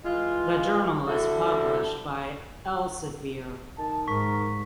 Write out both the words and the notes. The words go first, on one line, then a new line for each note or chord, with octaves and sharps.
The journal is published by Elsevier.
E3 G#3 F4
D3 G3 E4 F#4 A4
D#3 A5
G#2 A#4 C#6 B6